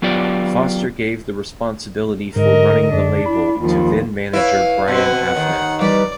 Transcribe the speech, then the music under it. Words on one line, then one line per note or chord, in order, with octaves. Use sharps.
Foster gave the responsibility for running the label to then manager Brian Avnet.
F#3 B3 F4 G4 D5
G#2 D3 A#4 D#5
F#2 D4
E4 B5
D#2 F3 F4
E4 B4 C#5 F5
B2 C4 F#5
D#2 D#3
E3 G3 B4 D5